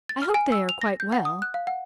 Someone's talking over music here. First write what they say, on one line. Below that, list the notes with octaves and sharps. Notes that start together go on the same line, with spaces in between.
I hope they are quite well.
A6
F6
G#5
E6
F7
A#6
G6
F#5
D#6
F#6
F5
F#5